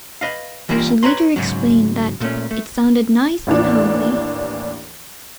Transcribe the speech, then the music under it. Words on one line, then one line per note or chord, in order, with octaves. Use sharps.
She later explained that "it sounded nice and homely".
B4 D#5 F5
E3 G3 A#3 F4 A#4
B4 C#5 A#5 C6
G#2 C#3 F#3
A#2 A3 C#4
A3
A1 D#2 E3 D4